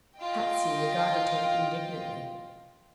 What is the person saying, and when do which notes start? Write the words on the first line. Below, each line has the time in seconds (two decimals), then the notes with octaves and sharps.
Patsy regarded him indignantly.
0.17 F4 D#5 G5